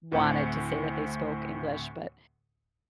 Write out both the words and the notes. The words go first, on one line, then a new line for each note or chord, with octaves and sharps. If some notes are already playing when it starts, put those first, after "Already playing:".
wanted to say that they spoke English, but
D2 A2 C4 F#5